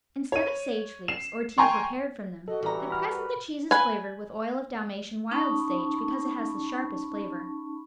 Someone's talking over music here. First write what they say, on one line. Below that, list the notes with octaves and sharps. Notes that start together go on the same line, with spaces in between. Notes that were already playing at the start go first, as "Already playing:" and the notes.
Instead of sage leaves, or tea prepared from them, at present the cheese is flavored with oil of Dalmatian wild sage because it has the sharpest flavor.
C#5 D#7
C7 E7
G5 G#5 A#5 C6 C#6
F#4 A4 D#5
E3 G3 A#5
B5 F6
B4
B4 G#5
C#4 D#4 A5 B5 C#6